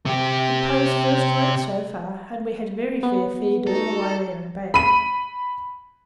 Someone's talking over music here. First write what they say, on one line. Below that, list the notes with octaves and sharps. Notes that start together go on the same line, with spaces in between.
It pays first-rate so far, and we had very fair feed all the way there and back.'
C3 G4
B3
D#4 F#4 A4 A#5
B5 D#7